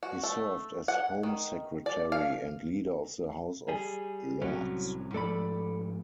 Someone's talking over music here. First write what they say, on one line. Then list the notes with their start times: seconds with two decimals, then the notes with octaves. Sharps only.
He served as Home Secretary and Leader of the House of Lords.
0.03 F#4
0.23 A3
0.88 F#5
1.23 D#3
1.86 D5
2.12 F5
3.69 G3 G#4
4.42 C2 A2 F#3 C#4
5.14 G#2 F3 A3 A4 D5 B5